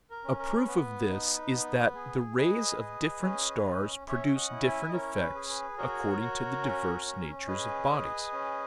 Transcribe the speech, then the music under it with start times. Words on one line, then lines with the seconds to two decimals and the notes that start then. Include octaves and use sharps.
A proof of this is that the rays of different stars produce different effects according to the diverse natures of bodies.
0.10 A#4
0.24 C#4
0.39 A#4
0.67 B3 B4
1.09 D#4
1.53 B3
1.95 G#4
2.37 G#4 B4 D#5
2.80 G#4
3.22 C#4
3.65 C#4
4.07 C#4 C#5 E5
4.35 D#5 F#5
4.50 E4
4.64 E5 G#5
4.89 D#5
4.92 C#4 A#4 C#5
5.15 A#4
5.21 B4
5.35 G#4
5.49 B4
5.78 F#4 A#4 C#5
6.21 F#4
6.62 C#4
7.06 C#4
7.48 G#4 B4 D#5
7.91 G#4
8.33 C#4